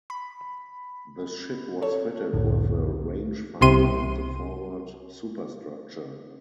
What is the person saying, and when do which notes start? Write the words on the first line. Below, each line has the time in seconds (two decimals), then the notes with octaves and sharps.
The ship was fitted with a rangefinder in the forward superstructure.
0.10 B5
1.82 A4 C#5
2.33 C2 F2 A2 D3
3.61 C2 C3 C6 D#7